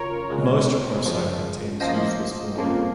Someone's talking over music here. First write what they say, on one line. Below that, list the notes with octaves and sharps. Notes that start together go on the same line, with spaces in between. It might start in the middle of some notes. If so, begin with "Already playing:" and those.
Most pro-cycling teams use this format.
Already playing: G#1 F#2 C#3 F4 A#4 C#5
C#2 C#3 G#3
G#1 F#2 C#3 F3
F#2 F3 A#3 C5 D#5
F2 C#3 F3 A#3